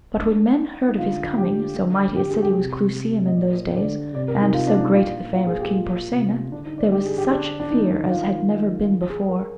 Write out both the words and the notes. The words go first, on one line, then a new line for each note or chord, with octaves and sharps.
But when men heard of his coming, so mighty a city was Clusium in those days, and so great the fame of King Porsenna, there was such fear as had never been before.
D4
D#4
D3 F4
G4
D3
G4
G#4
G4
C3
D#5
A#2 D5
C5
D3 D5
C3 D5
A#4
D#4
F4
D4
D#4
A#2 F4
F4
G#4
G4
F4
C3
D3 D4
D#4
D5
G4
G#4
G4
D4
D4
D#3 D#4
F4
G#4
G#4
A#4